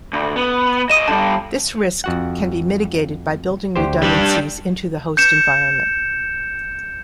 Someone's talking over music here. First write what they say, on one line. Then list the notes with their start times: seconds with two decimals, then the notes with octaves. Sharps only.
This risk can be mitigated by building redundancies into the host environment.
0.13 D2
0.36 B3
0.90 C2 D#5 D#6 D#7 E7
1.08 D3 G3 A5
2.04 F2 F#4 F#5
3.76 D2 G4 C5
4.03 G3 D4
5.17 G6 C#7 E7